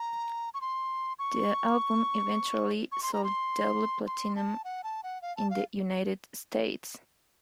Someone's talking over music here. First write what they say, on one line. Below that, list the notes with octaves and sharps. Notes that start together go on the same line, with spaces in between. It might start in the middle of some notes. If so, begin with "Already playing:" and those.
The album eventually sold double-platinum in the United States.
Already playing: A#5
C#6
C6
C#6
C#6
C6
A#5
C6
C6
A5
F#5
A5
F#5
F5
A5
F5